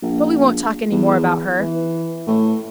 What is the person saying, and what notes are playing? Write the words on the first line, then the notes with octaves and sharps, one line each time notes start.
But we won't talk any more about her.
A#1
E2
E3
A2